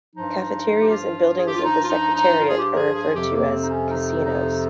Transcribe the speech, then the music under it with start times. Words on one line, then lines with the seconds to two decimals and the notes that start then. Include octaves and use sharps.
Cafeterias in buildings of the Secretariat are referred to as "casinos".
0.15 G2 F3 D#4
0.81 G4
0.90 F4
1.38 G#4
1.47 G4
1.55 F4
1.64 D#4
1.83 F4
1.89 D#4
2.14 D#4
2.39 F4
2.49 G#4
2.57 G4
2.71 A#4
2.76 G#4
2.95 G#4
3.14 F2 C3 F3 G4
3.32 A#3
3.51 C4
3.62 D#4
3.70 C#4
3.88 D#4
4.26 D#4